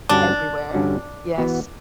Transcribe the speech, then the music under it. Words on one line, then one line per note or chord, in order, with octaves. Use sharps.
Everywhere. Yes.
G2 D3 G3 C#4 D4 F#4
G2 D3 G3 C#4 F#4
E3 B3 F#4